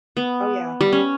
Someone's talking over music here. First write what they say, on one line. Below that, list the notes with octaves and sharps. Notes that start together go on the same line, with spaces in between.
Oh, yeah.
B3
G3
C#4